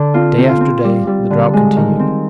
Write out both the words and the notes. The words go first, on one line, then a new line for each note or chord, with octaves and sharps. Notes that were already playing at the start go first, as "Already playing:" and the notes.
Day after day the drought continued.
Already playing: D3
C4 F4
C4
F4
C4
G3
G3
D3
G#3
D#3
C4